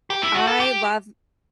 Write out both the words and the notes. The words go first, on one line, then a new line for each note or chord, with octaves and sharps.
I love
G4
E4
F#4
A4
G4